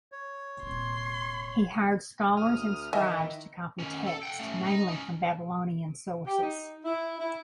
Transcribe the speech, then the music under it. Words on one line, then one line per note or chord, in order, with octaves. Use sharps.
He hired scholars and scribes to copy texts, mainly from Babylonian sources.
C#5
D#1 C3 C6
D2 D#6 F6
D#3 E3 D#5 E5 G#5
D#3 C#4
A4
F#5 G5
A3 C#4
D#4
C#4 D#4
G4
D#4
E4
E4